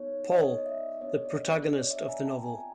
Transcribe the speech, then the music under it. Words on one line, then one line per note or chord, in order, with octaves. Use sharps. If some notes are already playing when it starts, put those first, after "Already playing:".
Paul: The protagonist of the novel.
Already playing: B3 D#4 G#4 C#5
C#5 D#5
D#5
D5 E5
B3 D4 G4 C#5 D#5
D5
D5
C#5 D#5
D5 E5
G#5 A#5
A#5
G5 A5
C4 F4 G#4 G#5 A#5